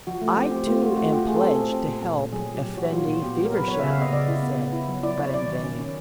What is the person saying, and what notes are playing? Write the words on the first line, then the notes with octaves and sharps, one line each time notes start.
"I too am pledged to help Effendi Feversham," he said, but in vain.
F3 F#4
A3
G4
C4
C4 G4
A3 F4
F4 F#4
A3 F#4
F4 G4
A3 G#4
A4
C4 G#4
C4
C4
A#2
A#2
A#2
F#3 G#4
F#3
G4
A#2
F#3 F#4
F#3 F4
A#2 F#4
B3 G4
F#3
A#4
F#3 B4
B3 C#5
E5
C#3
F5
B3 D#5
C#3 D5
E4
B3
B3
E4
F#3
E4 D5
E4 C#5
F#3 D5
D#3
C#4
C#4